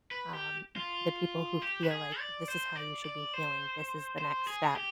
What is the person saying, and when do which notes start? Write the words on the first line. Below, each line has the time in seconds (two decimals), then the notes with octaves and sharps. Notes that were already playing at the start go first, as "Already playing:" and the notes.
um, the people who feel like "this is how you should be feeling, this is the next step,"
0.11 B4
0.33 G4
0.76 F4
1.62 G4
1.83 B4
1.91 G#4
2.19 D5
2.48 C5
2.76 D5
3.05 D5
3.34 C5
4.18 C5
4.47 G#4
4.76 G4